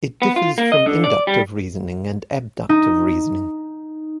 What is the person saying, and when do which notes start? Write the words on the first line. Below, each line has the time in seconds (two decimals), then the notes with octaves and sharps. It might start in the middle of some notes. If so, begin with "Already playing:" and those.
It differs from inductive reasoning and abductive reasoning.
0.22 B3
0.36 F4
0.58 A#3
0.72 D#5
0.86 D3
1.04 D5
1.27 G3
2.69 D#4